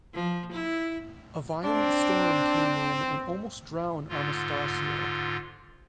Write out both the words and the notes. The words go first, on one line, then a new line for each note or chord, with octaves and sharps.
A violent storm came in and almost drowned Anastasio.
F3
E4
C4 D4
G#2 D3 F4